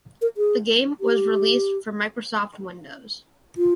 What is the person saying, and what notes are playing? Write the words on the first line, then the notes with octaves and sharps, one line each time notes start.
The game was released for Microsoft Windows.
A#4
G#4
G4
F4